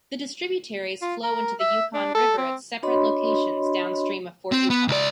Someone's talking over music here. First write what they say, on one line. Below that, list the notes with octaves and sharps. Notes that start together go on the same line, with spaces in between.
The distributaries flow into the Yukon River at separate locations downstream of Fort Yukon.
F4
A#4
E5
D4
A4
C4
D4 F#4 C#5 D#5 B5 C6
C4
B3
C#2 D5